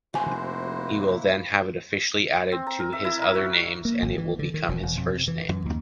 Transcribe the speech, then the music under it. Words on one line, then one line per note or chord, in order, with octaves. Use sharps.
He will then have it officially added to his other names and it will become his first name.
F1 A#3 E4 F#4 C5 G#5
C4
A#5
A#4
E5
E4
A#4
F#4
A#3
G#1
E3
D3
D#3
E1
E1
F2
C3
E3
F#2
D#2